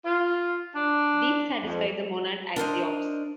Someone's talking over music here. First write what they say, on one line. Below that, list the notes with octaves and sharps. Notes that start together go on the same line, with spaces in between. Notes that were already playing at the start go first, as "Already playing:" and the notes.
These satisfy the monad axioms.
F4
D4
F2
D4 A#4 C5 D#5